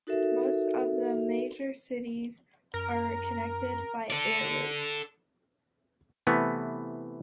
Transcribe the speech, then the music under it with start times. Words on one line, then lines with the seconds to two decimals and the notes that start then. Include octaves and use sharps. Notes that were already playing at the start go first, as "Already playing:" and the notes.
Most of the major cities are connected by air routes.
0.07 D#4 F#4 A4 A#4 E5
2.74 F#2 A#4
4.10 A4 D5
6.27 C3 E3 A3 B3